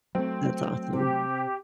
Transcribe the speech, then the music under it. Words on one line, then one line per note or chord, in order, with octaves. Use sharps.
That's awesome.
F#3 A3 C4
C3 G4